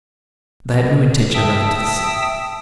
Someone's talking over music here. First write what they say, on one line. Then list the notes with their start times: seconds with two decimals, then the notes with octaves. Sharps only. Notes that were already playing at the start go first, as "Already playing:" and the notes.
But they had no intention of running to the sea.
1.34 E5 G5 A5 D#6 E6